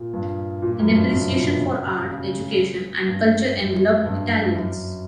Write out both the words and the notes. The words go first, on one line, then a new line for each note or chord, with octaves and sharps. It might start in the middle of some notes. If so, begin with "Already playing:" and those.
An appreciation for art, education, and culture enveloped Italians.
Already playing: A#2
G2
A#2
F#2
G2
F#2
G2
C#3
B2
A#2
C#3
C#3
G2
F#2
G2
F#2